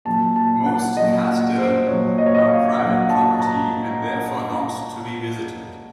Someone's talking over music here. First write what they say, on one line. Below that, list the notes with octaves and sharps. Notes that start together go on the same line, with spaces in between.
Most "kastelen" are private property and therefore not to be visited.
A#2 F#3 A5
A5
A5
F#5
A#2 F#3 D#5
F#5
C5
A#2 F#3 C#5
D#5
C#5
D#5
F5
F5
A#2 F#3 F#5
A5
A5
A#5